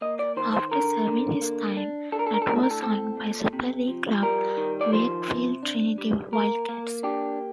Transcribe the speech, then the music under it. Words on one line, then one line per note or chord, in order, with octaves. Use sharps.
After serving his time, Latu was signed by Super League club Wakefield Trinity Wildcats.
A#3 D#5
D5
D#3 C5
C5
D3 A#4
D3
A#3
D4
D4 A4
A#4
A4
A#4
A4
A2 A#4
A4
A#4
A4
C4 A4
A#2
C3
F3
G3 A#4
D#3
D5
F3 C5
C3
D4
G3
A#3 A#4
A#3
D4 G4